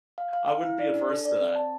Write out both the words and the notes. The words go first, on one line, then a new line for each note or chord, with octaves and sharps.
I wouldn't be adverse to that.
F5
F5
F5
E4
D5
D4
A4
D5
C4
A5